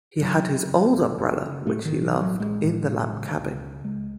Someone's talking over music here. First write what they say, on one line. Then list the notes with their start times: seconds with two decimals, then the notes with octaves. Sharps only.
He had his old umbrella, which he loved, in the lamp cabin.
0.21 F#1 F#3
0.45 C#3
0.70 F#2
0.94 F#1
1.18 F#1
1.43 C#3
1.66 A2 A3
1.85 D#3
1.91 A1
2.03 E3
2.15 A2
2.21 F#3
2.39 A1 G#3
2.64 A2
2.88 A1
3.12 C#3
3.36 C#2
3.61 C#3
3.84 C#2 G#3